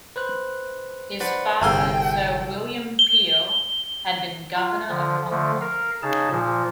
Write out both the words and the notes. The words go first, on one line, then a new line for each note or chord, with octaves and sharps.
His father Sir William Peel had been Governor of Hong Kong.
B4 C5 F#6
D4 B4 C5 F#5
G1 C2 G#4 A4 E5 G5 C6
G7
F4
D3 F3
D3 F3 A3
A#4 F5
C#3 D#4 G#4 A5
A#2 F3